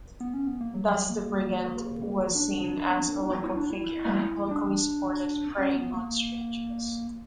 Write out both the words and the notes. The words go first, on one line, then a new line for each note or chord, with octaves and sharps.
Thus the brigand was seen as a local figure, locally supported, preying on strangers.
B3
C#4
B3
A#3
F#3
F#3
A#3
D4
E4
D4
E4
D4
C#4
B3
A#3